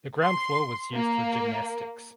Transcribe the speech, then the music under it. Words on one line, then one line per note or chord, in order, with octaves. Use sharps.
The ground floor was used for gymnastics.
C6
A#3